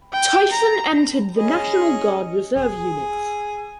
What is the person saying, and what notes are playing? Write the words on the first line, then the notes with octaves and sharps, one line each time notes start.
Tyson entered the National Guard reserve units.
G5
A#5
C#4 G#4 D#5
E1 G#4